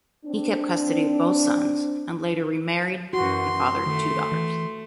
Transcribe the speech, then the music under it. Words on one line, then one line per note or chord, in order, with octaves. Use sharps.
He kept custody of both sons, and later remarried and fathered two daughters.
C4 D4
F#2 E3 F#4 C6
D#3 A3
E3